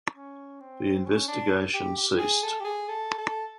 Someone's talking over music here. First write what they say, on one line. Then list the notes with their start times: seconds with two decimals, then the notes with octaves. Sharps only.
The investigation ceased.
0.14 C#4
0.60 C4
1.06 C#4
1.28 D4
1.74 G4
1.97 G4
2.19 G#4
2.43 A4
2.60 G4
2.64 G#4
2.88 A4
3.18 A4